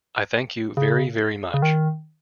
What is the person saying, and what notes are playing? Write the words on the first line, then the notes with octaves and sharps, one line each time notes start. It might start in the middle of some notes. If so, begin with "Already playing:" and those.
I thank you, very, very much.
C#3
C#3
D#3